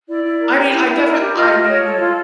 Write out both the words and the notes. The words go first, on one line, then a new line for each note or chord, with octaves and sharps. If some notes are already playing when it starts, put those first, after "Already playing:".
I mean, I def I mean,
E4 D5
E4
A#4
G4
E4
E4
A#4
G4
F4 D#5
F4
C#5
A4
F4